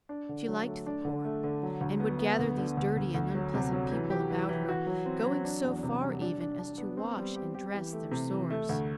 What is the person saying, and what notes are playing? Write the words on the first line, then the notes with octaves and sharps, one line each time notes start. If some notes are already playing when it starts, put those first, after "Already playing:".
She liked the poor, and would gather these dirty and unpleasant people about her, going so far even as to wash and dress their sores.
D4
D3
F#3
A3
D4
D3
A3
D3
F#3
D2
B3
B3
D2
D3
D2
D2
D2
F#3
C3
F#3
E3
G4
E3
E3
F#4
F#3
C4
F#3
D4
E2
C3
G3
D4
D4
D4
B3
C4
G3
G4
G4
E3
A3
C3
E3
A3
D2